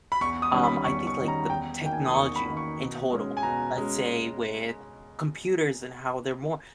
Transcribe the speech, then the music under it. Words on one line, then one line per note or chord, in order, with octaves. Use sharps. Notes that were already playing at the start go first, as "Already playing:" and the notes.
Um, I think like the technology in total, let's say with computers and how they're more
B5
E2 C#6
D#6
D#3 G3 C#4
B5
E2 C#6
C#6
D#3 G3 C#4
A#5
E2 G5
D#3 A#3 G5
G#5
D#6
E2 C#6
B5
D#3 A#3
C#6
B2
G#3 C#4
G#5
B2 A#5
G#3 C#4